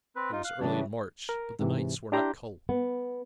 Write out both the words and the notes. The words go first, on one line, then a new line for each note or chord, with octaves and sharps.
It was early in March, but the nights were not cold.
C4 B4
D#4 F4
F5 F#6
C#3 E3 G3 D4
A#4
G#2 C3 E3
D4 E4 G4 A#5 C6 G6
B3